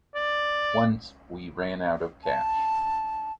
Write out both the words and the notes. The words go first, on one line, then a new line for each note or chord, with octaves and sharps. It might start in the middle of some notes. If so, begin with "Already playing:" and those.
Once we ran out of cash.
D5
A5